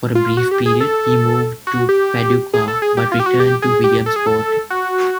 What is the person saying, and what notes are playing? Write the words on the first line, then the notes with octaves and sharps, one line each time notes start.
For a brief period, he moved to Paducah, but returned to Williamsport.
F4
F#4
G4
G#4
A4
F#4
G4
G#4
A4
G#4
G4
F4
G4
F#4
G4
G#4
G4
A4
G#4
A4
F#4